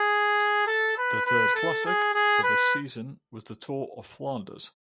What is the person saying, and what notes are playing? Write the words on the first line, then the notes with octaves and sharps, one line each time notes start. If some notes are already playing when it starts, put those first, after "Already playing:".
The third classic for this season was the Tour of Flanders.
Already playing: G#4
A4
B4
B4
A4
G#4
G#4
B4